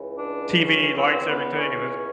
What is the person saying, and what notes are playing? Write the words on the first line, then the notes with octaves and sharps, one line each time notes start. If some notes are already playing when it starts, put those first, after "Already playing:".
TV, lights, everything, and then ju
Already playing: C#2 C#3 E3
D4
C#4
C4
B3
C#4